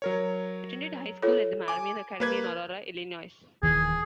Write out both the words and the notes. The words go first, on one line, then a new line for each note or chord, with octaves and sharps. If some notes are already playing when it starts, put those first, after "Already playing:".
He attended high school at the Marmion Academy in Aurora, Illinois.
F#3 A#4 C#5
F4 A4 C#5
G#5 D6
A#3 B4 G#6
D#1 D#2 D#3 E3 G#4